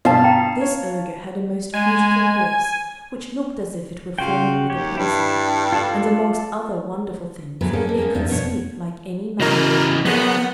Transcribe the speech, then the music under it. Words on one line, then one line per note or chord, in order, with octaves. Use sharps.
This ogre had a most beautiful horse, which looked as if it were formed with a pencil; and amongst other wonderful things, it could speak like any man.
G2 B2 F5 A5
G5 A#5
C#5
G#3 G#5
C#3 F4 F#4 G5
D#2 G4 C#5
G2 D4 E4
F4 A4 D5
G#2 D3 E3 F#3 B3 B4
A#3 C#4 G#4 A4 C5 D5
A3 A#3
G#3 A#3 B3 C#4
E2 G2 A#2 G3 D#4
F2 B2 B3 D4 F4 C#5
C#3 E3 F#4 A#4 D#5 F6
F#3 B3 G#4 A#4 F#5